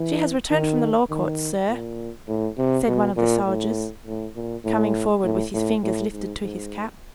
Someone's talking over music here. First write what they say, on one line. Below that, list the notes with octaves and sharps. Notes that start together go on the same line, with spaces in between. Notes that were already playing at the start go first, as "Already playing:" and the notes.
"She has returned from the Law Courts, sir," said one of the soldiers, coming forward with his fingers lifted to his cap.
Already playing: E3
D#3
D#3
A#2
A2
C3
B2
A#2
A2
A2
A#2
A2
A2
A2
A2
G#2
G#2